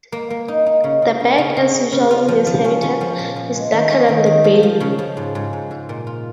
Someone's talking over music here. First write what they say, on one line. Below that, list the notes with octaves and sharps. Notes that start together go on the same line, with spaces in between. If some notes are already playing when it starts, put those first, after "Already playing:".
The back, as usual in this habitat, is darker than the belly.
A#3
A#3
D#4
D#4
C#3
C#3
C#3
C#3
C#3
C#3
C#3
F4
F3
F3
C#4
C#4
F3
A#2
F3
G#3
D#3
C#4
D#3
D#3
F3
F3
C#3
F3
G#2
G#2
G#2
G#2
A#2
F4